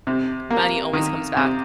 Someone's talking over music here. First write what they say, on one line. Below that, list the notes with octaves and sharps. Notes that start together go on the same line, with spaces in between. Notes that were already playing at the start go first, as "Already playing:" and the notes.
money always comes back?
C3
A#3
D#3
C3